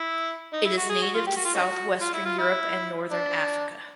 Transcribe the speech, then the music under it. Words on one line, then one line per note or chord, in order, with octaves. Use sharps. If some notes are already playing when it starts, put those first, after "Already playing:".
It is native to southwestern Europe and northern Africa.
Already playing: E4
D#4
E4
F#4
G#4
F#4
F4
G4
F#4
F4
C#4 D#4 F#4
F4
E4
F4
E4
D4